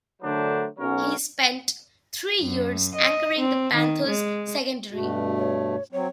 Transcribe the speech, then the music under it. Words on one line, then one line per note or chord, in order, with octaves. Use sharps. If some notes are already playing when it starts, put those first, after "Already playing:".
He spent three years anchoring the Panthers' secondary.
D3 F#3 A3 D4 A#4 C5
B1 F#3 C#4 A#4 C#5
F#2
D#5
C4
D#3
G#3
G2 B2 A3 F#4
C#5
F#3 C4 C#5